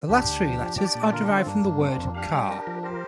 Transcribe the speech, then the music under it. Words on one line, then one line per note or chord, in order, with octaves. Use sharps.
The last three letters are derived from the word "car".
D2 D4 G4
D2
F3
F3
D4 G4 D5
A#2
D3 F4 A#4
D4 G4
D3
C4 F4
G2 A#3 D4
G2
C4
F2
D4 G4 F5
G3
A#4
F3
G4 A#4 C5